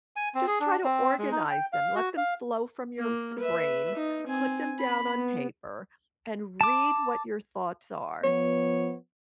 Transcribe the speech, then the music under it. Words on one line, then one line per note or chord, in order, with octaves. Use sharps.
Just try to organize them, let them flow from your brain, put them down on paper, and read what your thoughts are,
G#5
C4
G#4
D4
C4
G#3
D#4
G5
F5
F#4
F5
A#3
B4 E5
D#4
C4 G#5
B5
B3
A5 D6
F3 B3 C#5